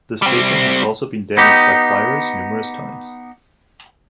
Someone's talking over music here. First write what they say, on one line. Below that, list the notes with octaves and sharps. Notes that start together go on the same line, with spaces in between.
The station has also been damaged by fires numerous times.
G3 C4
B3 D#4 G4